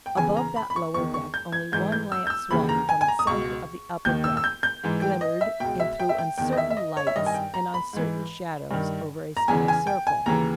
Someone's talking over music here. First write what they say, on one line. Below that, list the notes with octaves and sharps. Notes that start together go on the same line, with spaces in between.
Above that lower deck only one lamp, swung from the centre of the upper deck, glimmered and threw uncertain lights and uncertain shadows over a small circle.
G5
E2 C#3 E3 G#5
A#5
B5
B5
C#6
E2 D#3 C#6
C#6
G6
G#6
G#2 E3 G6
G6
E6
G6
E6
D#2 C#3 E3 B5
A#5
G#5
G#5
A#5
D#6
C#2 B2 C#6
D#2 D#3 G6
E6
E6
G6
G6
G#2 E3
G5
D#5
E5
C#2 B2 G5
E5
G5
E5
G5
E2 D#3 G5
D#5
E5
E5
D#5
C#5
E5
G2 D#3 D#5
G#5
G5
A#5
B5
G#2 E3
G2 D#3
A#5
E2 C#3 E3 G#5
G#5
G5
G#5
D#2 C#3 E3 A#5